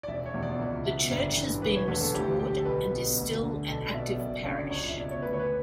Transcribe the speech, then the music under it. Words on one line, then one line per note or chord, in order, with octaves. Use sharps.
The church has been restored and is still an active parish.
D5
E1 E5
C#5
E2 B2
D5
C#2 E5
B2 E5
G1 D5
G2 E3
E1 B4
C#5
E2 D3 B4
A4
D2 G4
D3 G4
A4
B1 B4
B2
D2
D3
B1 A4
D5
B2 E5
F#1 D5
F#2 D3 C#5
D5
C#2 C#5
E5
B2 D5
C#5
D2 B4
C#5
B4